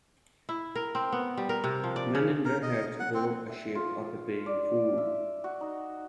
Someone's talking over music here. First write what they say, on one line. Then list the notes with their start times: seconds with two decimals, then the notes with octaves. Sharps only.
Men in red hats aboard a ship are preparing food.
0.49 E4
0.76 A#4
0.95 C4
1.12 B3
1.37 G3
1.49 A#4
1.64 C3
1.84 F3
1.96 D5
2.15 C#3
2.45 A#4
2.63 D#5
3.00 F#5
3.14 C4
3.49 E5
3.75 F4
4.46 D5
4.98 E5
5.44 F#4
5.61 D#4